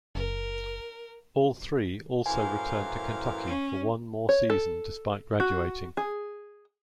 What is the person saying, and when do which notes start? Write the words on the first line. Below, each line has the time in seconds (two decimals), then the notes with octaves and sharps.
All three also returned to Kentucky for one more season despite graduating.
0.15 F#1 A#4
2.26 F#2 A2 E3 A#4 C5 F5 G#5
3.47 C#4
4.29 C#5
4.50 A4
5.40 F#4
5.97 G#4